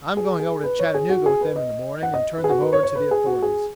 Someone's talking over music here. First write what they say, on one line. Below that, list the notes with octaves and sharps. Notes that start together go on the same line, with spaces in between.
I'm going over to Chattanooga with them in the morning and turn them over to the authorities.
G#4
G#4
B4
C#5
G#4
F#4
G#4
B4
D#5
F#5
D#5
B4
G#4
F#4
B4
C#5
C#5
B4
G#4
F#4
G#4